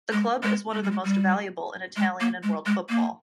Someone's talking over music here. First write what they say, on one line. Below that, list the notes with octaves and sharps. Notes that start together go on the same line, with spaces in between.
The club is one of the most valuable in Italian and world football.
G#3
G#3
G#3
G3
G#3
G3
G#3
A#3
G#3
G#3
A#3